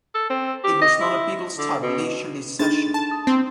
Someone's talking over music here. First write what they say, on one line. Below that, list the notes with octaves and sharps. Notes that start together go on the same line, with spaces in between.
It was not a Beatles-type leisurely session.
A4
C4
G4
D#5
E4
D3
B2
D4 D#4 A6
A5
D#6
C4